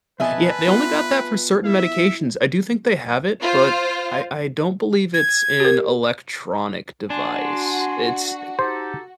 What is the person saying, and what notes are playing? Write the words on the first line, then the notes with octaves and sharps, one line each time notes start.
Yeah, they only got that for certain medications. I do think they have it, but I I don't believe it's an electronic device. It's th
F2 B2 B4 D#5 E5 G#5 A5
B3 F4
E4 E5
F4 C5
G#6
G4 A#4
D4 F#4 G#5 C6
D#4 G4 A4 C5